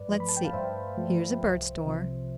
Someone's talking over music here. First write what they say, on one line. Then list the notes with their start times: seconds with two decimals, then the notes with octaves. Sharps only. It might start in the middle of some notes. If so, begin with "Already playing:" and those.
Let's see--here's a bird store.
Already playing: G2 B4 D5
0.09 F3 A3
0.20 B5
0.29 A5
0.36 G5
0.45 F5
0.53 G2 C5 E5
0.97 F3 A3
1.41 C2
1.85 C3 F3